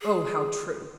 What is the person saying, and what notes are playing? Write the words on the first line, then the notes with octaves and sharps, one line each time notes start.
Oh, how true!
G#4